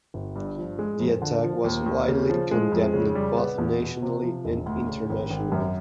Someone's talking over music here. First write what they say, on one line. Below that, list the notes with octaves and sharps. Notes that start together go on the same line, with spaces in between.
The attack was widely condemned both nationally and internationally.
G1
G2
F3
G#3
F2
D3
F3
D#2
D#2
C#3
F3
G#3
F2
C#3
G3
B3
E2
B2
C3
F3
E1
D2
C#3
G#1
G#1
F#2